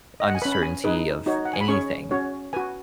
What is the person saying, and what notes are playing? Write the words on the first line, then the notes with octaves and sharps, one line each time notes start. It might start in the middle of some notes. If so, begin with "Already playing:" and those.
uncertainty of anything
D#5
F#5
G#5
C#4 B4 B5
B5
G#5
D#4 G#4 B4
D#4 F#4 C#5
F#5
G#5
B5
C#4 G#4 C#5 C#6
C#4 F#4 C#5
F#4 B4 G#5